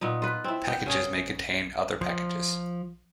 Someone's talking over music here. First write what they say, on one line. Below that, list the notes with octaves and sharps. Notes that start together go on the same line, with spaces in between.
Packages may contain other packages.
A#2 B3 D#4
F4 B4
C4 E4
B3 G5
C#3 G#4 C#5
F3